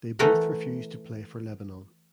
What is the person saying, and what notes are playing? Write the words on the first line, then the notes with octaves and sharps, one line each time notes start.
They both refused to play for Lebanon.
E3 A3 A4 A#4 F#5